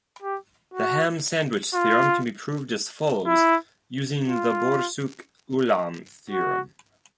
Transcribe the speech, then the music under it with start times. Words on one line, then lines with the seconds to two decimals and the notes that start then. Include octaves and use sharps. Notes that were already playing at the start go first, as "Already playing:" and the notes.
The ham sandwich theorem can be proved as follows using the Borsuk-Ulam theorem.
0.22 G4
0.74 F#4
1.74 F4
3.26 E4
4.27 F4
6.30 F#4